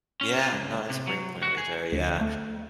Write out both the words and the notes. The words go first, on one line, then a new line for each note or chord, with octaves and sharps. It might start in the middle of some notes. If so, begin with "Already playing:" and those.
Yeah. No, that's a great point right there, yeah.
C#4
F4
C#2
C3
F#3
F#4
G#4
D2
A3